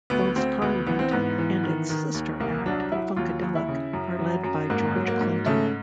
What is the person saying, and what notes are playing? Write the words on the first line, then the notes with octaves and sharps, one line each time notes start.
Both Parliament and its sister act, Funkadelic, are led by George Clinton.
D2 B3
D2 C4
D2 B3
E3 B3
C4
G#2 B3
E3
D#3
D#3
D#2
C2 A#3
F#3 D4
F#3 E4
D#2 F4
D#2
E4
C#3
F#2
F#3
F#2
G#2 A#3
F#3
A#3
G#2
C#3 A3